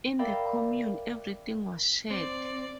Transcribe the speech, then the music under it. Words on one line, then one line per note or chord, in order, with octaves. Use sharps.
In the commune, everything was shared.
A#4 D5 E5 F5 G5 B5
C4 D5